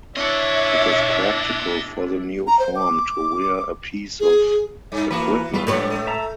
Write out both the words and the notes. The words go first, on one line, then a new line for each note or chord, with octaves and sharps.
It is practical for the new form to wear a piece of equipment.
D4 E4 C#5 D#5 E5 F#5
A#5
C5
D6
G#4
G2
E3 A#3 F#4 B4
G3 A3 F4 B4
A2 F3 G3 G#3 D4 B4 C#5
A3
E5 A5 A#5